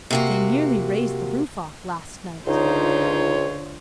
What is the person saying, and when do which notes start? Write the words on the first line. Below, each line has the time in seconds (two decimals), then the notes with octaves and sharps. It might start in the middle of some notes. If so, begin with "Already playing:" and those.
They nearly raised the roof off last night.
0.11 C3 A#3 F#4
2.47 C#2 D3 D#4 F4 C5 C#5